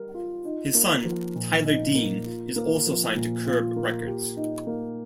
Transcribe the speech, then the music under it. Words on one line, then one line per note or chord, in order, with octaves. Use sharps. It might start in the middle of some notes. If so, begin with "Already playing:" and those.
His son, Tyler Dean, is also signed to Curb Records.
Already playing: G3 A#4
F4
D#4
A#3
F3
A#2
D#4
A#3
F4
A#3
F3
A#2
F4
A#3
G4
D#4
A#3